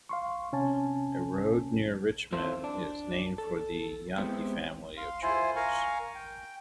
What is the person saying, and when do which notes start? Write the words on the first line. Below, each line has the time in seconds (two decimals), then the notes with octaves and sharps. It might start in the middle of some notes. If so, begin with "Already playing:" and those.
A road near Richmond is named for the Jahnke family of jewelers.
0.09 F5 C6 C#6
0.53 C3 C#4 G#5 A5
2.32 C4 E4 F4 A4 C5
2.64 D4
3.38 A4
4.18 G#3 B3 C4 E4 G4
4.97 F5 C6
5.22 E4 F4 C5 G#5 C6
5.56 A#4 F5 G#5 C#6
6.15 G5